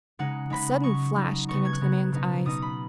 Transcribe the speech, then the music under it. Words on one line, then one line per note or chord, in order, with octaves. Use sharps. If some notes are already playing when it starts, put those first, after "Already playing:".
A sudden flash came into the man's eyes.
C#3 G#3 D#4 F#5
C#3 G#3 D#4 B5
F#3 D#4 C#6
F#3 D#4
C#3 B3 D#4 C#6
G#6
F#6
C#3 B3 D#4
B2 B3 D#4
B2 B3 D#4 D#6
B5